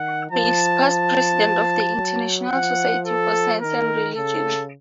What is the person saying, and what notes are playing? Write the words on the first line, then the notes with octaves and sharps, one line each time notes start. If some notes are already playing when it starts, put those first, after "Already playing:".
He is a past President of the International Society for Science and Religion.
Already playing: D#3 F#5
F3 A5
A5
F#3
F3 F#5
A4
D#3 A#4
C#3 A4